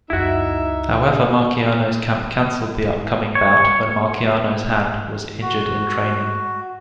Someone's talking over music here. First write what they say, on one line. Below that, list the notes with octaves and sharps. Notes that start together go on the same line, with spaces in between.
However Marciano's camp cancelled the upcoming bout when Marciano's hand was injured in training.
C#2 F#2 D#4 E4 F#4 E5
C#5
F#4